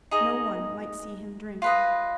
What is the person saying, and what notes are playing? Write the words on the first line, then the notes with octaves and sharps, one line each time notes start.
No one might see him drink.
D#4 G#4 D#5
F4 B4 D#5